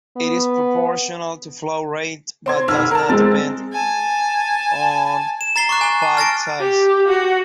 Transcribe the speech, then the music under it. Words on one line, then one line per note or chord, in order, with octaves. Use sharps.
It is proportional to flow rate, but does not depend on pipe size.
B3
C4 C6 G#6
F1 B1 E6 F6
A#4 A5
G#3 C4 A6
G#5 A5
E7
A#5 A6 C7 G7
C#6 D6 F#6
G#5 G7
A5
F6 A6 A#6 D7
G4
F#4